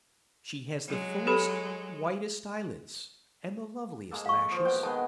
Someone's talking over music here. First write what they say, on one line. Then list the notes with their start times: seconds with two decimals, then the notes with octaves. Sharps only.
She has the fullest, whitest eyelids, and the loveliest lashes.
0.88 F#3 G#3
1.27 G4 A4 B5
4.11 G#3 A#3 A4
4.26 F5 C#6
4.51 F3
4.65 B2 G5
4.83 D#3 G#3 B3 A5